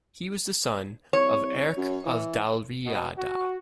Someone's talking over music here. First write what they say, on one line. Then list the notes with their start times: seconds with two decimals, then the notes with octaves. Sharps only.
He was the son of Erc of Dalriada.
1.13 C2 C#5
1.77 F#2
2.06 E3
2.86 B2
3.18 F#4